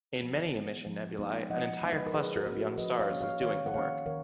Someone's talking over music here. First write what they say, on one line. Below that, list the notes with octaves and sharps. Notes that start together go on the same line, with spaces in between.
In many emission nebulae, an entire cluster of young stars is doing the work.
F3
G#3 B3
F3
G#3 B3 D#4
F3 D#5 F#5
G#3 B3 D#4
B4 D#5
A#4
F3 G#4 B4
F#4 A#4
A#3 C#4
F#4
F3 B4 D#5
C#5 F5
A#3 C#4
C#5 F5
D#3 C#5 F5
F#5
A#3 C#4 C#5 F5
D#3 A#4 C#5